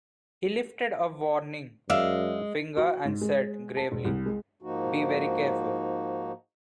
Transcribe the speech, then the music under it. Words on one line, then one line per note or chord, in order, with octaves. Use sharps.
He lifted a warning finger and said gravely, "Be very careful."
F#2 G#3 D5 E5 F5
F#4
G#2
G#3
A5
E1
C2
G#3
G#2 F3 A#3 D#4 F#4